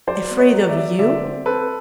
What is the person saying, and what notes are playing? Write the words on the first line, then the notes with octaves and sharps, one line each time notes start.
Afraid of you?
F#3 C5 D5
B3
C#5 D#5
F#3
D5 E5
F#3
D3 D5 E5
C4
C4 A4 B4